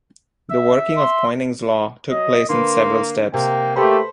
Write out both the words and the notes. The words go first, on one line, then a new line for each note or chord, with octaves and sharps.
The working of Poynings' Law took place in several steps.
E5
C6
F#3 D#5
D3 A#3 B4 C6
C3 A#3 G5
A3 A#3 G4 A4 B4 C5 B5